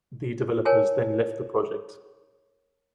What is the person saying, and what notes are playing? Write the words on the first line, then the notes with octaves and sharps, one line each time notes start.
The developers then left the project.
A#4 C#5 G#5 A5